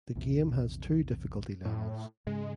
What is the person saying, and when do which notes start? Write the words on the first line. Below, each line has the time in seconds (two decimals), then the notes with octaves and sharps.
The game has two difficulty levels.
0.15 A#1 E2 C3
1.65 A2
2.27 G#2 C#3 G#3